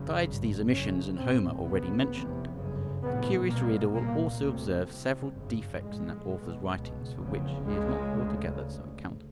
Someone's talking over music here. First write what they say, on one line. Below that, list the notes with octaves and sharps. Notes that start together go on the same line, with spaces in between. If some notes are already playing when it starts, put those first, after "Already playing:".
But besides these omissions in Homer already mentioned, the curious reader will also observe several defects in that author's writings for which he is not altogether so accountable.
Already playing: F#1 F#2 C#3
G#1 G2
F#1 F#2 C#3 C#4
A#1 A2 C4
C#2 C3 B3
F1 E2 C3
G1 F#2 C#3
A#1 A2 B3
C2 B2 A#3
C2 A#2 A#3
D2 C3
C2 C3
G1 F#2 C#3
A#1 A2 G#3
B1 B2
C#2 B2
F1 E2 C#3
C#2 C#3 G#3
D2 C#3